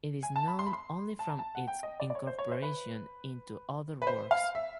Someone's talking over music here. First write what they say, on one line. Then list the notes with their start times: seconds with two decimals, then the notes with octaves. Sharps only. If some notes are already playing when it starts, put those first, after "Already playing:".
It is known only from its incorporation into other works.
0.23 G#5
0.36 A5
0.48 B5
0.59 C6
0.66 B5
0.73 C6
1.19 A5
1.29 A#5
1.39 A5
1.55 F#5
1.68 G5
1.83 D#5
2.00 D5
2.10 D5
2.15 C#5
2.27 C5
2.39 C#5
2.52 C5
2.62 B4
4.02 B4
4.07 C5
4.31 F5
4.55 E5